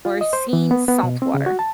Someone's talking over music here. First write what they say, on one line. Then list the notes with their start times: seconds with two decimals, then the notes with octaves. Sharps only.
or seen saltwater.
0.05 F4
0.21 D#5
0.33 C5
0.53 E3
0.71 B3
0.88 B3
1.03 B2
1.22 C4
1.34 C#3
1.46 F#4
1.59 A5